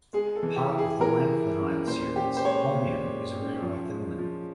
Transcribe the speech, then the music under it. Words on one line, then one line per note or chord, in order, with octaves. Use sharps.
Part of the lanthanide series, holmium is a rare earth element.
G#3 G#4
A4
E3
G4
E4
G#4
E3 A#4
E4
C#4
A#2 C5
C#4 G4
C5
G#3 C#5
A#2
G#3
C#4
F3
G#3
F3